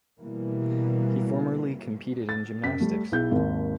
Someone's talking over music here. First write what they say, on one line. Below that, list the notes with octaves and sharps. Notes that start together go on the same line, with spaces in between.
He formerly competed in gymnastics.
B2 E3 G3 A#3
A6
F#2 B6
G3 A3
B1 E4 G#4 G6
G#1 D#2